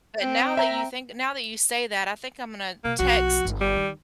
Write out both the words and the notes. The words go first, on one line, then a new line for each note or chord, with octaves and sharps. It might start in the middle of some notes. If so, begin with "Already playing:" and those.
But now that you think now that you say that, I think I'm gonna text
C4 G5
E5 A#5
B2 A#3
B1 F3 F#4
G1
G3
D#3